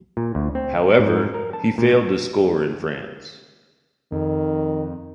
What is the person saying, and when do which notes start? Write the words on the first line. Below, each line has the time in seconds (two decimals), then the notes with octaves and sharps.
However, he failed to score in France.
0.17 A#2
0.35 D2
0.55 C4
0.99 G#2
1.34 A#4
1.53 A5
1.78 A#2
4.12 F2 D#3